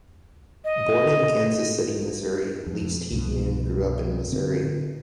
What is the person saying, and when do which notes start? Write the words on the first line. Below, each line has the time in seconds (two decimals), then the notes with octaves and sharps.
Born in Kansas City, Missouri, Least Heat-Moon grew up in Missouri.
0.64 D#5
2.67 F2
3.12 C2 G2 B2 F3
4.32 D3 C4